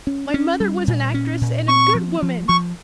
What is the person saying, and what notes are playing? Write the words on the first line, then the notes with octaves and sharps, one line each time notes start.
My mother was an actress and a good woman.
C#4
C#4
G3
A#2
C#4
A#2
C4 C#6
F3
F3
F3 C#6